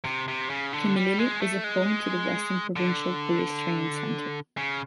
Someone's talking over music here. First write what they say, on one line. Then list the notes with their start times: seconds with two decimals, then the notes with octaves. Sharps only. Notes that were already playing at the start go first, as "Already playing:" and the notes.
Kimilili is a home to the Western Provincial Police Training Center.
0.05 C3
0.28 C3
0.50 C#3
0.73 D3
0.96 G3
1.19 G#3
1.41 A3
1.64 G#3
2.76 D3
4.57 C#3